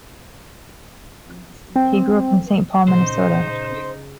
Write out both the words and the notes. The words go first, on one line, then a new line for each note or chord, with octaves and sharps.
He grew up in Saint Paul, Minnesota.
C4
A#2 C#3 D#4 C5